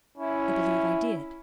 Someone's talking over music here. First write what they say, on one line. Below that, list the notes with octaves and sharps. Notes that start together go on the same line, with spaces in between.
"I believe I did."
C#4 E4